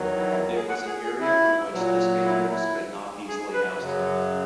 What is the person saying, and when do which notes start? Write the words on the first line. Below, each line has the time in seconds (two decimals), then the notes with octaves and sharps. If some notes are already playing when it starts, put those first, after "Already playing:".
It was an area from which the Spaniards could not easily oust him.
Already playing: E2 D#3 F#3
0.17 E4
0.30 E4
0.56 G#4
0.69 F#5
0.86 G#4
1.04 G#4
1.21 E4
1.72 A#2 F#3
2.25 E4
2.50 E4
3.28 G#4
3.53 B4
3.79 F#2 C#3 F#3